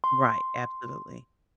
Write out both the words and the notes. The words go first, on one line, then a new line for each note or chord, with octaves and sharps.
Right. Absolutely.
C6